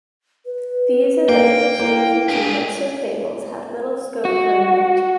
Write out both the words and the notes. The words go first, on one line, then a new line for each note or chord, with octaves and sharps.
These and the illustrations in books of fables had little scope for invention.
B4
A#3 G5
A#3 E4
D4 G4 G#4
F#4